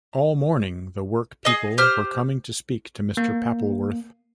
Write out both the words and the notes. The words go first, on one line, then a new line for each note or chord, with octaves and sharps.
All morning the work-people were coming to speak to Mr. Pappleworth.
G#4 D#5
G4 C5 F6
A#3